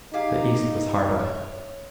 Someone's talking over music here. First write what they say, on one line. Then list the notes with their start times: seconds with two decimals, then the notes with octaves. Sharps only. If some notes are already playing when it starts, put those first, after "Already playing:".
The East was hard up.
0.14 D#4 G4 G#4 F5
1.19 C#5 E5